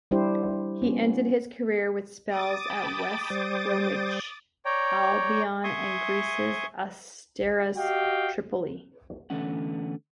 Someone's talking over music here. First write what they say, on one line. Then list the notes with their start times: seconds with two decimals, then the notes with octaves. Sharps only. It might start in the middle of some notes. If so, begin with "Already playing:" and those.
He ended his career with spells at West Bromwich Albion and Greece's Asteras Tripoli.
0.11 G3 D4 E4 G4 C5
0.82 B3 C#4
2.28 D6 D#6 A6
2.70 G5 A5 B5
3.30 G3 C5
4.65 C#5 D5 G5 A#5
5.64 E5 G#5 C6 C#6 D#6
7.76 F#4 G4 D#5 F5 G5
9.30 D3 E3 A3 B3 C#4 F#5